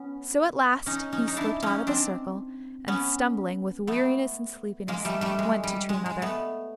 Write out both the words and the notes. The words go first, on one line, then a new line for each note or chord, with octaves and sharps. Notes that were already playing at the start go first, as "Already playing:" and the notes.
So at last he slipped out of the circle, and stumbling with weariness and sleepiness went to Tree Mother.
Already playing: B3 C#4
C#4 D#4
C#4 D#4
D#4
D4 E4
C#4 D#4
C4 D4
B3 C#4
A3 B3
G#3 A#3
G3 A3
G3 A3
G#3
G3
G#3
G#3
A3 B3